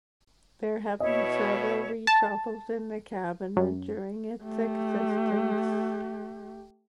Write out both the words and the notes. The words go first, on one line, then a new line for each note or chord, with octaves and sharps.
There have been several reshuffles in the cabinet during its existence.
B2 E4 C#5 D#5
A5
F#2
A3 G4